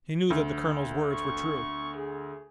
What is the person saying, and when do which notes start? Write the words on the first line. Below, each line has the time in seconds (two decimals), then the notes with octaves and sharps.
He knew that the colonel's words were true.
0.30 D2
1.13 C#6
1.95 G#4